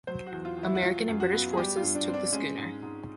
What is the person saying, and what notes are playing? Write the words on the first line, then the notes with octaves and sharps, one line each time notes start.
American and British forces took the schooner.
F#3 C5
F#4
E2
F4
E2
E4
F#4
F#3 F4
F#2
F#4
B3
G#4
G3 G4
F4
G2
D4
C4
D4
G#3 C#4
G#2
G#2